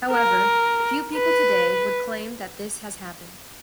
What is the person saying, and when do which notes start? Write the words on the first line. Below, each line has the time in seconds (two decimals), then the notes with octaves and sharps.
However, few people today would claim that this has happened.
0.12 A#4
1.15 B4